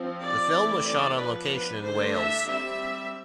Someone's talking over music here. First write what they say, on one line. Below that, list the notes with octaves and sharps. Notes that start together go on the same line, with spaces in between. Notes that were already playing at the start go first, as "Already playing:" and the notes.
The film was shot on location in Wales.
Already playing: F3 C4
D5
E3 A3 C4
D5
F3 B3 D4 B4
B4
D3 A3 D4 C5
E5
G3 C4 E5